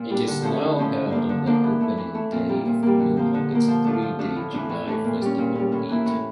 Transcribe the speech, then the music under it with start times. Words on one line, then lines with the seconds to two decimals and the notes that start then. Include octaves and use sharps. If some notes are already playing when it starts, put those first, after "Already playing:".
It is now held on the opening day of Newmarket's three-day July Festival meeting.
Already playing: A#2
0.10 G3 D4
0.27 D3
0.42 F3 A3 C#4 E4
0.61 D3
0.78 F3 A3 C#4 E4
0.95 D3
1.10 F3 A#3 D4
1.29 D3
1.46 F3 A#3 D4
1.64 E3
1.81 A3 E4
1.97 E3
2.14 A3 E4
2.32 A#2
2.49 G3 A#3
2.65 A#2
2.83 G3 A#3
2.99 D3
3.17 F3 A#3
3.34 D3
3.51 F3 A#3
3.68 F3
3.85 A3 D4 F4
4.02 F3
4.19 A3 D4 F4
4.36 A2
4.53 E3 A3 D4
4.69 A2
4.87 E3 A3 D4
5.04 A#2
5.21 G3 C#4
5.38 A#2
5.55 G3 C#4
5.72 A2
5.89 E3 A#3 E4
6.06 A2